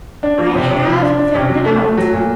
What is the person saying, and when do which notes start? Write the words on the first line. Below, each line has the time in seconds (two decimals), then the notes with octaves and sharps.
I HAVE found it out.
0.23 D4
0.38 F3
0.55 C3
0.71 C3
0.86 F3
1.02 D4
1.19 D4
1.35 C3
1.49 F#3
1.65 A3
1.82 A3
1.97 F#3
2.13 A#2